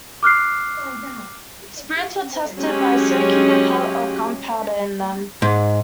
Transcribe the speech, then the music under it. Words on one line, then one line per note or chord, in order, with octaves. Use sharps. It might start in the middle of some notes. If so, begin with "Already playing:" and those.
Spirits were tested by soaking a pellet of gunpowder in them.
D6 F6 F#6 C7
F#3 G#3 C#4 G4
G#2